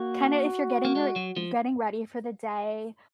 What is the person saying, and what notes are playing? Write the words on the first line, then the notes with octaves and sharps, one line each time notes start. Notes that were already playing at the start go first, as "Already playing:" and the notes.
kinda if you're getting your you're getting ready for the day,
Already playing: A#3 F#4
A#3
G#3
F#3
F3